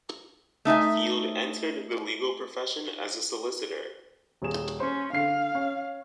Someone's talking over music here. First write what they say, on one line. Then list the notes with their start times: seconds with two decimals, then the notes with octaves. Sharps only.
Field entered the legal profession as a solicitor.
0.65 A3 D#4 E5 G#5
4.42 D#1 G#4 E7
4.80 C#4 C5
5.13 D3 F5 C7
5.55 C#4